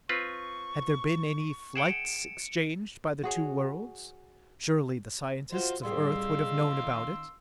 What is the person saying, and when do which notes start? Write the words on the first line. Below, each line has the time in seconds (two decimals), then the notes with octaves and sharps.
Had there been any flights exchanged by the two worlds, surely the scientists of Earth would have known about it.
0.09 C4 F4 B4 C#6
1.75 G#4 F#5 G5 C#7 D7 E7
3.24 F#4 G#4 C#5
5.52 F4 F#4 C5 F5
5.83 A2 G3 G#4 F5 C6 E6
6.82 D#3